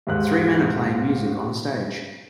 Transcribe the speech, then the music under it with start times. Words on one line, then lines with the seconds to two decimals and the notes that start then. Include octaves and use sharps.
Three men are playing music on a stage.
0.07 D#2 G#2 F#6